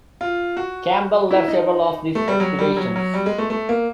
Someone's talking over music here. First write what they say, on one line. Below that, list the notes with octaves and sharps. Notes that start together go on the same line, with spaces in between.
Campbell led several of these expeditions.
F4
F#4
E4
D#4
A3
G3
F#3
G3
F#3
F#3
G3
G#3
A3
A3
A#3